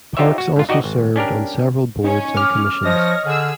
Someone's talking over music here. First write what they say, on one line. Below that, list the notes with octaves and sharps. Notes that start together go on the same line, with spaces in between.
Parks also served on several boards and commissions.
D#4 F4 G4 C5 C#5 E5
F#4
G#2 F4
D#4 F#4 G4 D5 D#5
G#1
C#4 D4 G4 A#4
C#4 D#4
D6 F6
F3 C#5 D#5 D#6 A#6
D3 G#4 E6